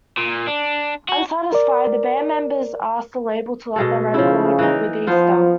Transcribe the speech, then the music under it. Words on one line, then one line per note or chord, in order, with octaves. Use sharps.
Unsatisfied, the band members asked the label to let them record with Easter.
A#2
D4
F#4
A#4 D5
B2 G#3 A4
C#3 F3 E4
E3 A#3 D#4
F3 B3 F4 C5